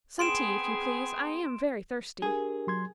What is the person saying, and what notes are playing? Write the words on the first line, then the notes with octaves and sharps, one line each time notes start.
"Some tea, if you please, I am very thirsty."
B3 C4 G#4 C6 D7 E7
D4 G4 G#4 A#4
F#3 C6 G#6